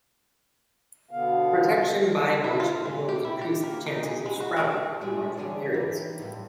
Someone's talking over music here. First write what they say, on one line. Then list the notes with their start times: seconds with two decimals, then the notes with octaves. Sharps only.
Protection by mulching will increase the chances of sprouting in marginal areas.
1.11 B2 D3 B3 F5
2.44 E4
2.60 F4
2.85 G#3
3.09 G4
3.25 E4
3.41 G4
3.64 A#3
3.86 D#4
4.03 G#4
4.26 G#3
4.40 F#4
4.56 A3
5.01 G3 G#3 D4 G4 G#4
5.37 D3 E3 D4 G#4 C#5 D5
5.74 D#3 E3
6.19 F2 A2 G3